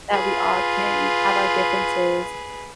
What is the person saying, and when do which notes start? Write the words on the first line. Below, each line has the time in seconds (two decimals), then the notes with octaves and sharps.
That we all can have our differences,
0.11 F4 G#4 B4